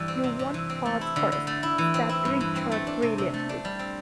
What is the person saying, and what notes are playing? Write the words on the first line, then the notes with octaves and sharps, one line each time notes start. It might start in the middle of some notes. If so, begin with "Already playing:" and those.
"You want plots first," said Richard brilliantly.
Already playing: G2 E3 G3 D4
C4
C3
C3
E3
C4
A3
E4
D3
D3
A3
E4
E3
C4
E4
G2
E3
C4
A3
D4
C3
C3
A3
D4
G3
C4